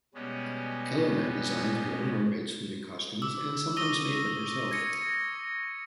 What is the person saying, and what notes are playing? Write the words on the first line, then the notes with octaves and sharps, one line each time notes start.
Kellermann designed her own mermaid swimming costumes and sometimes made them herself.
B2 G3 G#3 B3 C#4
D6 E6
C#6 D#6 E6 A#6 D#7 G7
G#6 A#6 C#7